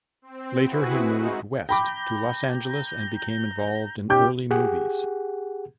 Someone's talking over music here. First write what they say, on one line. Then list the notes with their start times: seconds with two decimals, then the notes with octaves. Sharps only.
Later he moved west to Los Angeles and became involved in early movies.
0.22 C4
0.61 E4 F#4 G#4 B4
1.06 G#3 D#4 F#4
1.69 G5 A#5 B5 D6 G6
4.10 B2 C#4 D#4 G4 D6 G6
4.51 G4 G#4 F#5